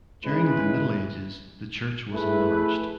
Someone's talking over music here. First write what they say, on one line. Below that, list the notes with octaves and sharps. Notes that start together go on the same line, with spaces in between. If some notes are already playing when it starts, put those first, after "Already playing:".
During the Middle Ages the church was enlarged.
G#3 C#4 E4 B4
A3 E4 G#4 B4